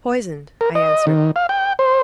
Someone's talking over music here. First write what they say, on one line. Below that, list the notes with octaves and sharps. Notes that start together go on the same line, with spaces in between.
'Poisoned,' I answered.
A#4
D#5
D#3
F5
G5
C5